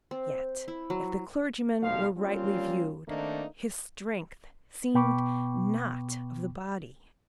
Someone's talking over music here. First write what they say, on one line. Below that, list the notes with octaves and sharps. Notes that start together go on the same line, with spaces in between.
Yet, if the clergyman were rightly viewed, his strength seemed not of the body.
C4
E4
F#3
B1 G2 F3 F5
G3 A#3 C4 C#4 F4
D#3 A3 A#3 C4 D4 D#4
B2 B3 G5 B5 C#6 D6